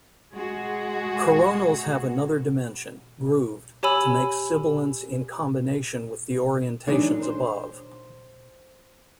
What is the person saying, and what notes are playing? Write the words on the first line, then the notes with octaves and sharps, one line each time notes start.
Coronals have another dimension, grooved, to make sibilants in combination with the orientations above.
G#3 F#4 G#4
G4 C#5 G#5 B5 E6
D#3 E3 F#3 G#3 D4 D#4
C5